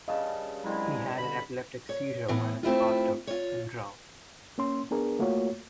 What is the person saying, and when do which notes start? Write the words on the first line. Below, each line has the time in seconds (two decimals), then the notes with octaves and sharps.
He had an epileptic seizure while in the bathtub and drowned.
0.08 G2 C#3 D#5 F5 A5
0.64 D3 F#3 G#3 C4 E4 B5
1.17 D3 B5
1.89 C#5
2.28 A2 E3 B3
2.63 A3 C4 E4 F4
3.27 F4 C#5
4.58 A#3 C#4 C6
4.91 B3 D4 G#4 A#4
5.19 A3 A#3 F4 F#4 C#5